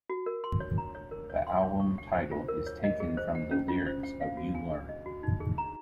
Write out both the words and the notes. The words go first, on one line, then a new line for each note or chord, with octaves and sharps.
The album title is taken from the lyrics of "You Learn".
F#4
A#4
C6
C#5
A#5
C#5
A#4
C#5
C6
C#5
C#6
F#5
C5
F4
A#4
C#5
D#5
G#4
C5
F#5
C#4
F4
C5
F#5
F5
F#4
G#5
G#4
D#5
F#4
D#4
G#4
A#5